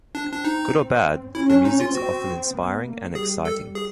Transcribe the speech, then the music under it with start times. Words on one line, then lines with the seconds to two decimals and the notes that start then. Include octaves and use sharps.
Good or bad, the music's often inspiring and exciting.
0.15 C4 D4
0.33 D4
0.45 D#4
1.34 C#4 E4
1.50 D4
1.65 D#4
1.80 F4
1.95 C4 F#4
2.55 B3
2.85 A#3
3.15 G3 G#4
3.45 A4
3.75 G#4